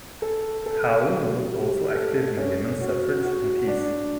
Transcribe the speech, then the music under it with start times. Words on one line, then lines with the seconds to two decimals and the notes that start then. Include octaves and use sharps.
Howland was also active in women's suffrage and peace.
0.22 A4
0.66 A4
1.08 F#4
1.52 G3
1.95 A4
2.37 C#4
2.81 F#4
3.25 F#4
3.68 D4